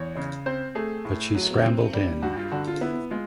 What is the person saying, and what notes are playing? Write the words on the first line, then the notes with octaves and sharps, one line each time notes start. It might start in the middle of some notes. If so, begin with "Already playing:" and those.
But she scrambled in.
Already playing: E2 C#5
C#3
C4 C5
A3 G#4
A2
F#3
C4
G3
G2 F#4
F4
D3 F#4
F4
B3 E4
G#3 F4